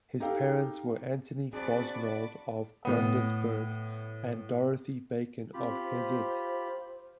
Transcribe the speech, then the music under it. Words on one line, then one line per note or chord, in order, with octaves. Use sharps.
His parents were Anthony Gosnold of Grundisburgh and Dorothy Bacon of Hessett.
D#4 G4 A4 F5 G5
C4 D4 F#4 G#4 D5 B5 D6
A2 B3
C4 F4 G4 B5
C5